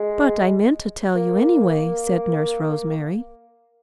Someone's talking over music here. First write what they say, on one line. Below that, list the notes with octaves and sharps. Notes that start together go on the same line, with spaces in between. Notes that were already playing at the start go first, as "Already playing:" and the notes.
"But I meant to tell you anyway," said Nurse Rosemary.
Already playing: G#3
A#3